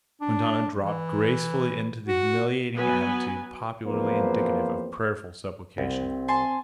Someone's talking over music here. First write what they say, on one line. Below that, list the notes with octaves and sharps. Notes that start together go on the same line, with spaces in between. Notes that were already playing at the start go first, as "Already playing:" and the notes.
Quintana dropped gracefully into the humiliating attitude popularly indicative of prayerful supplication.
D4
E3
F#4
F#3 B3 B4 G#5
E2 F3 A#3 C4 B4 C5
C2 C4
G#5 A5 C6